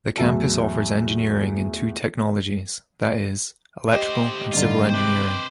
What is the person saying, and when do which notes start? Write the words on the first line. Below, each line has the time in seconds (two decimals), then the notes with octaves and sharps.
The campus offers engineering in two technologies, that is, Electrical and Civil Engineering.
0.18 E2 A2 F#3 E5 A5
3.94 D2 G4 C5 D#5
4.52 G2 D3 D#3 F4
4.89 C3 B4 C5 G5 D6